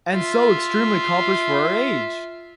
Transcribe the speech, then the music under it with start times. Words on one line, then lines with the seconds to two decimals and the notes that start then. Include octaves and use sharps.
And so extremely accomplished for her age!
0.13 F4 E5